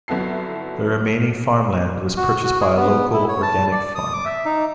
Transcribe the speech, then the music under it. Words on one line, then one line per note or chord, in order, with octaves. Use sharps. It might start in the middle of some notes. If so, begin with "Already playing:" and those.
The remaining farmland was purchased by a local organic farmer.
G1 F#3 B3 E4 A4 C7
F#4
F#4
G#4
B3
E4
C#5
A5
D5
D#6
D6
E5
D#4